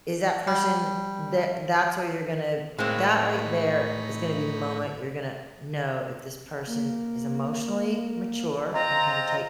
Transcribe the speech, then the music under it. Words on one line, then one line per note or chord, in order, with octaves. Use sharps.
Is that person tha that's where you're gonna that right there, is gonna be the moment you're gonna know if this person is emotionally mature, and can take
G3
A2 G#3 A#3 C4 D#4 C#5 B5
A#3
C4 F4 D#5 A#5